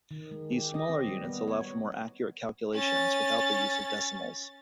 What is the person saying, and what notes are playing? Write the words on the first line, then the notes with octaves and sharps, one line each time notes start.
These smaller units allow for more accurate calculations without the use of decimals.
D#3
G#3
G4
D#5
C4
G3
B3
C#5
C#4 A6